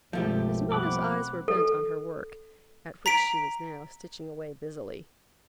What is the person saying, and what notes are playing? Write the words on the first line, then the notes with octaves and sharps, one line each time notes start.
His mother's eyes were bent on her work, at which she was now stitching away busily.
B1 F#2 F3 G#3 A3 C4 G4 A#4
B2 G3 A#3 C4 F#5 B5 D6
A4
A#5 B6 D7